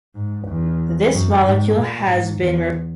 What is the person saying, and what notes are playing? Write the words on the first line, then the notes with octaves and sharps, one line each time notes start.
This molecule has been reported to have broad-spectrum antimicrobial activity that includes human pathogens.
G#2
E2
F#2
G#2
A#2
G#2
E2